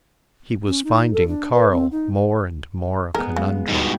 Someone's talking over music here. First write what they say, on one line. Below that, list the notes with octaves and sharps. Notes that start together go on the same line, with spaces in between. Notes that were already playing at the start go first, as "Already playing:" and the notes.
He was finding Carl more and more a conundrum.
C#4
D#4
A4
D4
B4
C4
D#4
G#3 B3 G#4 A#4
C#3 G#3
G#2 B2 G3 G4